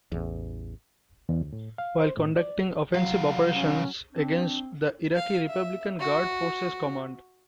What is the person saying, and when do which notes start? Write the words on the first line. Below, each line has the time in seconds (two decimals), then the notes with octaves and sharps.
While conducting offensive operations against the Iraqi Republican Guard Forces Command.
0.12 A1 E2
1.29 E2
1.41 D2
1.53 A2
1.78 F5
2.00 C5
2.17 A2
2.36 D5
2.94 C2 F#3 F5
3.51 C#4
4.13 C4 D4
5.16 F5
5.48 E5
6.00 F#4